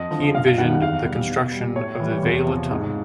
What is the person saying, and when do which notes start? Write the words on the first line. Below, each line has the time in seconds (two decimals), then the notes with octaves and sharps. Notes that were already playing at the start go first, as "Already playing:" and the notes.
He envisioned the construction of the Vielha tunnel.
Already playing: F2 D#5
0.11 D3 F3
0.35 F#2 F5
0.58 D#3 G3 F#5
0.75 F#5
0.81 E2 F5
1.05 B2 G3
1.29 B2
1.52 G3
1.76 A2 C#5
2.00 E3 G3
2.23 E2
2.47 C3 F3
2.71 G#2